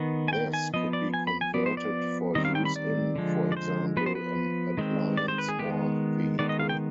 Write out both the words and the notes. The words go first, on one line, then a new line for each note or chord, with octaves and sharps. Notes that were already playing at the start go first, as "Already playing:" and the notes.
This could be converted for use in, for example, an appliance or vehicle.
Already playing: D#3 B3
G#5
G5
G#5
F3 B3 D#5
D5
G#5
B5
G#5
F3 B3 D5
C5
D5
D#3 G3 C4 D#5
F5
G5
B5
D5
D3 F3 G#3
D5
C5
F3 B3 B4
C5
B4
D#3 G#3 C4
D5
C5
B4
G#4
D#3 G#3 B3 G4
D#3 G#3 B3 D5
D#5
F5
G5